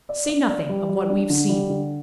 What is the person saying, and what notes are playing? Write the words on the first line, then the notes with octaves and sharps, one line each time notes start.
Say nothing of what we've seen.
D5
D5
D5
G3
G3
D4
D3
G3
D3